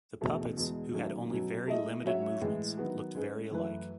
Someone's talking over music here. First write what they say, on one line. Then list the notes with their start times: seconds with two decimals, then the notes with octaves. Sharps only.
The puppets, who had only very limited movements, looked very alike.
0.21 E2 B2 A3 C#4
0.57 E2 B2 G#3
0.94 D#3 F#3 A3 C#4
1.31 B2 F#3 C#4
1.67 A3 E4 G#4 D#5
2.04 F#3 C#4 F#4 C#5 E5
2.41 A2 E3 G#3
2.78 D#3 F#3 B3 F#4
3.15 G#3 C#4 G#4 B4
3.51 F#2 E3 A3 E4 B4